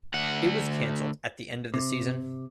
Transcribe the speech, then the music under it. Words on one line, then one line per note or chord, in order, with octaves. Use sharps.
It was cancelled at the end of the season.
D2 F#5
C3